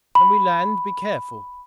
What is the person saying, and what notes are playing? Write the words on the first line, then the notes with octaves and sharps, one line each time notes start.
When we land, be careful.
B5